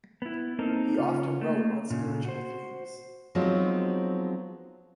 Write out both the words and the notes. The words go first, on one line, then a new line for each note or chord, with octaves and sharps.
He often wrote on spiritual themes.
B3 E4
A#3 C4 D#4 A4 A#4
C#3 C#4 F4
A3 A#3
A#2 C#3
F#4 C5
F3 F#3 G#3 B3 C4 D#4